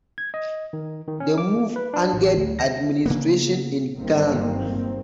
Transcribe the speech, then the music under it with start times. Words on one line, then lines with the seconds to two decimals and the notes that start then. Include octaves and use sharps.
The move angered administration in Ghana.
0.18 G#6
0.34 D#5
0.73 D#3
1.08 D#3
1.20 C#4
1.38 D6
1.76 B4
1.94 D4
2.13 A1
2.37 D2
2.59 A#6
3.06 C#3 A#3 B3
3.98 G1 G2 D#3 F#3 A#3 C4